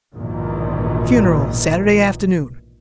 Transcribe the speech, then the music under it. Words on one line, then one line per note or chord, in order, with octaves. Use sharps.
Funeral Saturday afternoon.
A#1 E2 G#2 B2 D#3